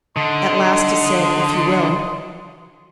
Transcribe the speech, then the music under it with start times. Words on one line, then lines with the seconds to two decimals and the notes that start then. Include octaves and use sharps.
At last he said, "If you will."
0.17 D3 D#3 D#5 C6